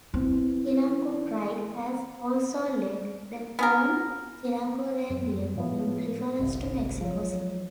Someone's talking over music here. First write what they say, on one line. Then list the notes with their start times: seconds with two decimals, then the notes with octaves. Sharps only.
"Chilango pride" has also led the term "Chilangolandia" in reference to Mexico City.
0.14 E3 C4
3.59 B3 G#4 A#4
5.10 F#2
5.56 A2 F3 B3
6.39 G1 C2
7.01 F3 F#3